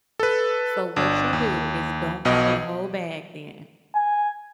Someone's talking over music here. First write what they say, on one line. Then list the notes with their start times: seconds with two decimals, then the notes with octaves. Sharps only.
So what you do is don't buy a whole bag then,
0.20 A4 B4
0.96 G1 D4
1.33 D#2
2.25 B1 B2 D#5
3.95 G#5